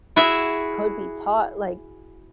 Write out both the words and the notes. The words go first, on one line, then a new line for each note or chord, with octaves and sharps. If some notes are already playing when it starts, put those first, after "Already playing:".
could be taught, like,
E4 F#4 G#4 E5